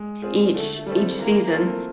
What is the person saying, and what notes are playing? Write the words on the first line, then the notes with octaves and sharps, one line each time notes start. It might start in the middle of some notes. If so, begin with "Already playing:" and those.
each each season,
Already playing: G#3
C4 F4 G#4
D3 A3 A4
G3 A3 C4 A4
E3 A#3 A#4
A3 C4 F4 A4